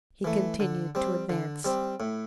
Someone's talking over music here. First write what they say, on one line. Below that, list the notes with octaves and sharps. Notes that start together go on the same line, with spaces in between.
He continued to advance.
E3 A3
D3
G3 C4
D3
G3 C4
A2